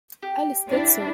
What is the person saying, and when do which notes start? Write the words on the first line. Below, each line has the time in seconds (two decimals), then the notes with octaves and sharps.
Alice did so.
0.23 G4
0.68 D4 E4